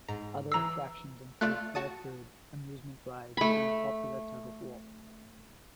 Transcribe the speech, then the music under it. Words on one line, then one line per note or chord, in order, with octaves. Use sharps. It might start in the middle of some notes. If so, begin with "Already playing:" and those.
Other attractions include fair food, amusement rides, and a popular tug-of-war.
G#2 A#5
E3 A#5 E6 A#6 C7
A3 F4 D5 F#6
F#4 A5 D#6
A3 B5